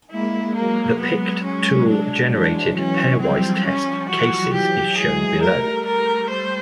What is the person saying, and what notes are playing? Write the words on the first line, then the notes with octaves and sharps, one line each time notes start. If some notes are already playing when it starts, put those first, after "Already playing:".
The pict tool generated pairwise test cases is shown below.
G#3 A#3 E4
F#3 G#3 A#3
B3
C#4
F#3 G#3 D4
E3 F#3 D4
E3 F#3 C#4
F3 G3 C4
F3 G3 C#4
E3 F#3 F#4
G4
F#3 G#3 G#4
G3 A3 A#4
A#4
C5